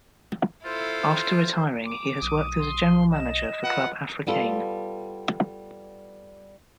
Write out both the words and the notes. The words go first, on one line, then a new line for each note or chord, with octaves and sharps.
After retiring he has worked as a General Manager for Club Africain.
E4 F4 A4 C5
D6
B1 D#6
C6
D#5 E7
F4 B4 F#5
G3 B3 F4 A4